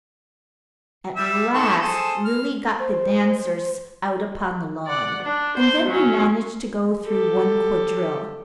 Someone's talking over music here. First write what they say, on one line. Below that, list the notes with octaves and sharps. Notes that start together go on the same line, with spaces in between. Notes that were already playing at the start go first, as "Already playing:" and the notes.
At last Lily got the dancers out upon the lawn, and then they managed to go through one quadrille.
G3 E5
D#3 A4 C#6
G#4 A4 C5
F6
C5
D5 F#5
D4
C5 C6
F#3 C#4
G4 A4